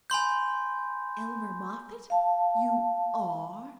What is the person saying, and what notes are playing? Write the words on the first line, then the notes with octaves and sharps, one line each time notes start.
"Elmer Moffatt--you ARE?"
G#5 B5 C6 G6
F5 A5